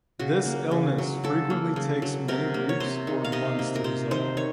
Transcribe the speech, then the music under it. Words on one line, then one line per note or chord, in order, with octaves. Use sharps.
This illness frequently takes many weeks or months to resolve.
C#3 F#4
A#3
C#3
F#3
C#3 A4
A#3
C#3
F#3
C3 A#4
A#3
C#5
C3 C5
D#3
F5
C3 D#5
A#3
A#4
C3 C5
D#3 C5
D#3 C#5